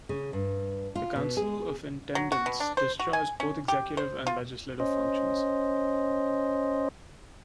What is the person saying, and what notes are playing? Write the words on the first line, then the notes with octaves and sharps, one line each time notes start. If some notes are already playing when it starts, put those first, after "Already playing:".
The Council of Intendentes discharged both Executive and Legislative functions.
C#3
G2
F4
B2
G#4
F#3
F#4
B2
D4
C5
F#4
G#5
C#4
G4
C5
F4
C#4 C5 D#5